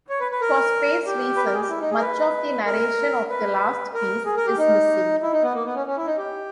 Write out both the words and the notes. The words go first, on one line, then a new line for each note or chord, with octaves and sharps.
For space reasons, much of the narration of the last piece is missing.
C#5
B4
B4
A#4
G4
B4
A#4
G#4
G4
E4
D#4
G#4
A#4
B4
A#4
B4
A#4
G#4
A#4
G4
D#4
E4
D#4
B3
A#3
B3
C#4
C#4
E4
D#4
G4